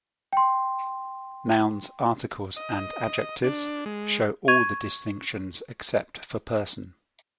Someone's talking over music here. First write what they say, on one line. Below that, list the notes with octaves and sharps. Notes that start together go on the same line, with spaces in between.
Nouns, articles and adjectives show all the distinctions except for person.
G5 C6
D#5
D4
G#3
C#6 G#6 D#7 F7